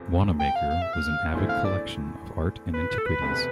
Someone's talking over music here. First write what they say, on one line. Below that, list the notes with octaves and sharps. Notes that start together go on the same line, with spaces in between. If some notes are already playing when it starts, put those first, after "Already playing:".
Wanamaker was an avid collection of art and antiquities.
Already playing: F1 E2 C3 F3
G5
F5
F5
E5
F5
E2 D3 A3 C4 E4
F5
D5
B4
B4
A4
B4
E1 D2 C3